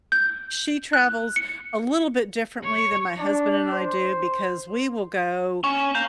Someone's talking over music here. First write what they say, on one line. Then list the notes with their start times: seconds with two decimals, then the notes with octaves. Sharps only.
She travels a little bit differently than my husband and I do, because we will go
0.12 G6
0.93 F#6
1.36 C#7
2.64 C#5
3.18 D4
3.72 C5
5.64 C#4 C#6
5.95 F5 A#5 G6